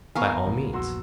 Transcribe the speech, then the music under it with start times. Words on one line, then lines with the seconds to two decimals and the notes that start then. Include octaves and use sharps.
By all means.
0.15 B3 A#4 F5 G#5 C#6
0.46 G#1 D#2 C#3
0.73 A#1 E2 G2 F#4 C6 E6